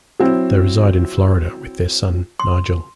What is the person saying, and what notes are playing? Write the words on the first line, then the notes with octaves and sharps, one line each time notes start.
They reside in Florida with their son, Nigel.
F#3 C4 E4
C6